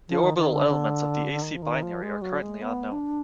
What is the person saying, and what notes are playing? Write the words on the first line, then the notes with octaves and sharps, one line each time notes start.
The orbital elements of the A-C binary are currently unknown.
F3
D#3
D#3
D3
D3
D#3
F3
D#3
F3
G#3
F#3
G#3
B3
D4